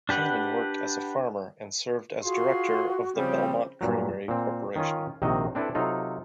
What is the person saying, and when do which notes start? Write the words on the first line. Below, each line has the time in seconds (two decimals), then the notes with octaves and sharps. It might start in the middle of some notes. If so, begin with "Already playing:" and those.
Cannon worked as a farmer and served as director of the Belmont Creamery Corporation.
0.09 D4 G4 B4 F#5
2.24 F4 F#4 G#4 C6
3.16 C#3 F3 G3 C4
3.81 G2 A#2 F#3
4.28 A#2 C4
4.76 D#3 C#4 F4
5.22 A#1 C3 D#3 C4 F#4 D#5
5.55 C4 D4 E4 A4 B4
5.75 C3 F#3 D#4 F4 A4